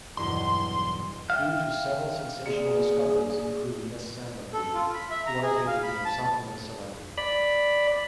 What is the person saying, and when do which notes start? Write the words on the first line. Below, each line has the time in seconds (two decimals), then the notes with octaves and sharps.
Due to several sensational discoveries including "Miss Sambaqui", Duarte became something of a celebrity.
0.17 B1 E2 G2 C6
1.30 E5 F5 G5
2.46 A#3 G#4 D5
4.53 A4
4.74 F4
4.94 B5
5.11 E5
5.26 A#5
5.42 G#4
5.68 F5
5.83 B5
6.05 A5
7.18 D5 B5